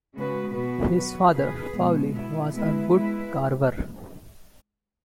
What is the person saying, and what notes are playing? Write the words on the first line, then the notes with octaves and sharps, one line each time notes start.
His father, Faulle, was a wood carver.
C#3 G#3 B3 F#4 B4
B2 B3 F#4 B4
F#3 B3 F#4 B4
B2 B3 G#4 B4
B2 G#3 B3
B2 B3 E4
G#3 B3 E4 B4
G#3 E4 B4